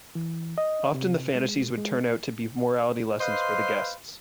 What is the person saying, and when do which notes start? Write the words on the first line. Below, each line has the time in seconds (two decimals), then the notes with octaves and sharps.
Often the fantasies would turn out to be morality lessons for the guests.
0.15 E3
0.58 D#5
0.95 C3
1.35 G#3
1.78 G#3
3.21 B4 C5 D#5 F5 C6